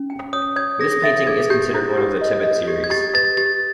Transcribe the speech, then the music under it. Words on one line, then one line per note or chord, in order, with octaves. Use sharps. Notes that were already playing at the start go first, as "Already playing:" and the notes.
This painting is considered one of the "Tibet Series".
Already playing: C#4
G5
C#5 D#6
C#5 G#6
G#4 A#6
E5 A6
G#4 G#6
G4 G6
E4
G4
D#5
D#5
G4
G#6
G4 A6
B4 A6
G4 A6